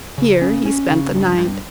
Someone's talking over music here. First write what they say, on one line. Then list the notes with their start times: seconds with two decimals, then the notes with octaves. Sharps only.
Here he spent the night.
0.18 C#3
0.41 C#4
0.65 C#4
0.90 C#3
1.14 G2
1.38 G2